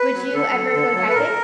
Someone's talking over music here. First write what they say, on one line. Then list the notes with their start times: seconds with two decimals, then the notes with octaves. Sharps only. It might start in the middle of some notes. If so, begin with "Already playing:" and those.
Would you ever go diving?
Already playing: B4
0.13 F#3
0.33 D3 A4
0.53 F#3
0.74 D3
0.94 F#3
1.09 B4
1.14 A2 A#4